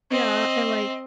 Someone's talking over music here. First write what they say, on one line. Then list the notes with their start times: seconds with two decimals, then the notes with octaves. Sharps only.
Yeah, and, like,
0.11 C4 D#5